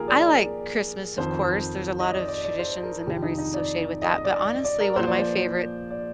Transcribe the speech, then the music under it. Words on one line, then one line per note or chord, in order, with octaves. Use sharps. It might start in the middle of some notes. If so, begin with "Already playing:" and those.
I like Christmas, of course there's a lot of traditions and memories associated with that, but, honestly, one of my favorite
Already playing: A#2 F3 D#4 F4 G4 G#4 A#4
D5
F2 D#3 C5
D#5
D5
D5
D5
C5
A#4
F2 C3 D#3 G4
D#4
D#4
D5
D#5
D5
D5
A#4
A#2 F3 C5
D5
C5
D5